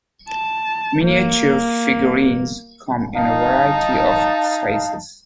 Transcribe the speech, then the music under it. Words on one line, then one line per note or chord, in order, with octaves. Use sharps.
Miniature figurines come in a variety of sizes.
A5
A#3
D#4 F5 A5